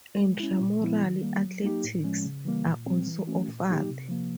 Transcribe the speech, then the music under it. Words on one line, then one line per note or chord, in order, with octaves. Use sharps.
Intramural athletics are also offered.
G#3
C#4 E4
A#2
F3 G#3 B3 E4
D#3
G3 A#3
F#3
A#3 D#4 G4
A2
F3 G#3 C#4
C#3
E3 G3 A#3
A#2
G3 C4
E3
A3 C#4 F#4
A#2
F#3 A#3 D#4 G4
C3
F3 A#3